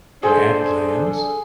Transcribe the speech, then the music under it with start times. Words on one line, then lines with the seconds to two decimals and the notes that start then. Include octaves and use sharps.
Mad Lands?
0.23 D4 G#4 A4 C5